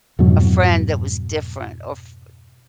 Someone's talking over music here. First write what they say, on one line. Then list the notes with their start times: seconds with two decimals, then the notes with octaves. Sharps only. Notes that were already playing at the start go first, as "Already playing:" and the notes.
a friend that was different or f
0.19 F2 G#2 B2 F#3